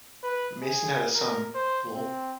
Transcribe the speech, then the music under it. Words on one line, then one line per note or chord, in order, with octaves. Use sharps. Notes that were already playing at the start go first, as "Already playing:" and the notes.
Mason had a son, Lol.
B4
G#4
A#4
C5
C4